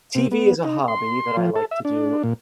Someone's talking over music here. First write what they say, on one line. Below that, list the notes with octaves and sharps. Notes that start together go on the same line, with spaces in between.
TV is a hobby that I like to do.
C3
B3
D#4
C6
F3
A4
E5
D4
A#2